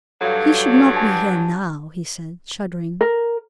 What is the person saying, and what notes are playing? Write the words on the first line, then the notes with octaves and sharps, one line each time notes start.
"He should not be here now," he said, shuddering.
G2 F#3 A4 F5
G#5 A5
A#4